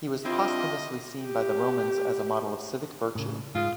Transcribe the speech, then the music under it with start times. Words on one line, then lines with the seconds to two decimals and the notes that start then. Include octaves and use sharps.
He was posthumously seen by the Romans as a model of civic virtue.
0.25 C4 D4 E4 F4 D#5
1.22 G4
3.15 A2 C#3
3.55 G#2 G#3 F4